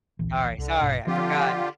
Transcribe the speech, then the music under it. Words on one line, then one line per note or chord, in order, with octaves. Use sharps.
Sorry, sorry, I forgot.
D1 A#1 E3
C2 D3
A#1 G2 B2
D3 F3 C4 F4 G4